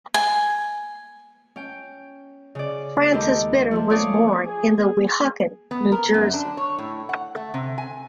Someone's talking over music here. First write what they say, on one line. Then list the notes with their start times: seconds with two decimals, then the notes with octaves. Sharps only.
Francis Bitter was born in the Weehawken, New Jersey.
0.14 G#5
1.56 C#4 G5
2.55 C#3 D5
3.13 D#2 G#3 G4 A4
3.71 F3 A3
3.90 C#4 C#5 D5 F5 D6 D#6
4.44 G#4
5.71 B3
5.92 A#4
6.14 F#2
6.34 D4
6.57 C#5
6.78 A2
7.09 F#5
7.36 A3
7.54 C3
7.78 G#5